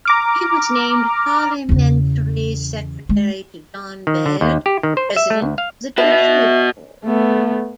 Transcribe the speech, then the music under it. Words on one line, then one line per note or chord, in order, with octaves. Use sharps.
He was named Parliamentary secretary to John Baird, President of the Treasury Board.
A#5 D6 F6
E2 C#3
G#3
D#3
D3
D#2
G4
D#3
C5
E5
A3
D2
F5
F#4 B4 E5
A3 B3